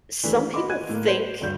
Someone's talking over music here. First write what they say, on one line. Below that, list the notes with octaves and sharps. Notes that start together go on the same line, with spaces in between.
some people think
E3 A3 D4 G4 B4
F#4 D#5 B5 C6 D6
D#5 G#5 F#6 G#6 D#7
A2 A3 A#3
B4 C5
D2 G2 G3 G6